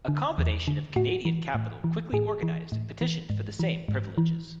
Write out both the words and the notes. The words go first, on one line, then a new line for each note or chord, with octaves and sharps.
A combination of Canadian capital quickly organized and petitioned for the same privileges.
D3
E2
D3
A2 F#4
E3
A2
E3
A2 G#4
E3
A2
E3
G#2
E3
G#2
E3